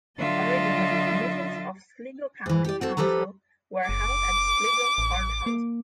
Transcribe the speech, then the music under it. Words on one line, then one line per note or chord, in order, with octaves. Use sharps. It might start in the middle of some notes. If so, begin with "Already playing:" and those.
Originally meetings of Sligo County Council were held at Sligo Courthouse.
D3 F#3 F4 D#5 E5 A6
G#2 E3
G4 D5
C4 F#4 A4
F3 G4 A4 B4 A#5
F#1 D6
A1
A#3